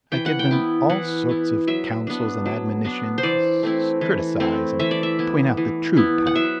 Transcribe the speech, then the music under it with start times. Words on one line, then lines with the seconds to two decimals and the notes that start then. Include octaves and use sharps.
I give them all sorts of counsels and admonitions, criticise and point out the true path.
0.12 E3 G5
0.26 F#5
0.39 G5
0.51 B3 E4
0.90 E3 F#5
1.29 B3 E4
1.67 F#3 E5
2.07 B3 D4
2.46 F#3
2.85 B3 D4
3.18 C5
3.23 E3 D5
3.63 A3 C4 E4
4.01 E3
4.40 A3 C4 E4
4.80 E3 E5
4.91 D5
5.03 E5
5.19 B3 E4
5.57 E3
5.97 B3 E4
6.27 F#5
6.35 F#3 E5